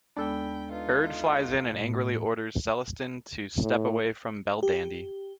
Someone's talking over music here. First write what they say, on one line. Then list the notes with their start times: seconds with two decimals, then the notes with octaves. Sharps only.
Urd flies in and angrily orders Celestin to step away from Belldandy.
0.17 D#2 G#3 B3 D4 A4 G5 B5
0.71 D#4 F4 B4
1.69 A2
3.62 A2
4.63 G4